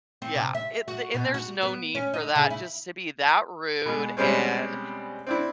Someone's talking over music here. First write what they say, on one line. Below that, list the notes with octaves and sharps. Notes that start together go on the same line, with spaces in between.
Yeah, it the and there's no need for that just to be that rude and
C4
C3
E5
F#4
B2
F#4
B3
C#4
D#4
C#3
E4
B2 G#3
B2 G3 G#3 C4 C#4
C4 D4 E4